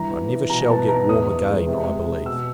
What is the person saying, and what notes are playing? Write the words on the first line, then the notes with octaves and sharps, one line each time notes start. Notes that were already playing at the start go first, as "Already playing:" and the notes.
I never shall get warm again, I believe.
Already playing: G2 E3 A#5
B3
E3
B2 A#5
B3 A5
D#4 A#5
E2 D#6
E3
G#3
C3
G#3
C3
B2 E6